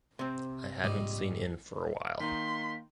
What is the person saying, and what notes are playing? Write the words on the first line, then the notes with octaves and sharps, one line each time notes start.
I hadn’t seen in for a while.
C3 C4
A#1 G#2 G3 D#5
D#3 A#3 D#4 C6 B6